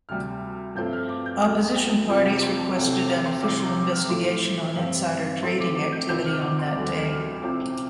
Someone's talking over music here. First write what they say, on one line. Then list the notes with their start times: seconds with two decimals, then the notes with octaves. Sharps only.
Opposition parties requested an official investigation on insider trading activity on that day.
0.09 D2 C3 G3 F6
0.75 G2 F3 A3 C4 G6
0.93 F6
1.09 D6
1.26 G6
1.42 D2 D3 G3 F6
1.76 G5
2.09 F2 C3 F3 C4 F5
2.25 G5
2.42 C6
2.59 A5
2.76 C2 C3 A3 C4 F5
2.93 G5
3.09 F5
3.26 C6
3.42 C2 C3 G3 D6
3.60 C6
3.75 D6
3.92 F6
4.09 A2 F3 A3 C6
4.76 G2 G3 C4
5.42 A2 A3 C4 C6
5.60 D6
5.75 D6
5.92 G6
6.08 C2 C3 F3 C4 G6
6.26 F6
6.42 D6
6.59 C6
6.75 D2 D3 G3 D6
7.09 F6
7.42 C2 C3 F3 C4 D6